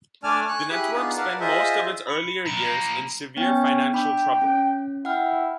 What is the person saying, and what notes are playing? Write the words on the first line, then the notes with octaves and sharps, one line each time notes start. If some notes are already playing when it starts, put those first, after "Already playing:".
The network spent most of its earlier years in severe financial trouble.
A3 D4 D5 G#5 A5 F6
G#5 C#6 F#6
E4 G4 G#4 B5 D#6 F#6
B3 D4 D#4 F4 G#4
A#4 B4 D5 F5 F#5 A5
F4 G#4 C5 D#5 E5
B5 B6 C#7
B1 A#5 D7 E7
F3 A#3
B3 C#4 G5
D4 G5 B5 D6
C#4
E4 F#5 G5 F6